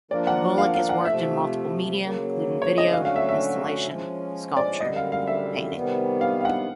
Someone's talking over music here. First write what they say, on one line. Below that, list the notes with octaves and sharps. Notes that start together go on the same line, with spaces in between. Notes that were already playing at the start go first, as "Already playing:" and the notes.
Bulloch has worked in multiple media, including video, installation, sculpture, painting.
F3 A#3 D4 F4 A#4 D5
F#5
F5
F5
F#5
C3 F3 A3 E5
C#3 F#3 A#3
C#5
D#5
D3 F#3 A3 C#4 F#4 F5
F5
E5
E5
F3 G#3 C#4
D5
F#2 D3 G3 D#5
F5
F5
E5
C3 D#3 G3 B3
F5
F5
F#5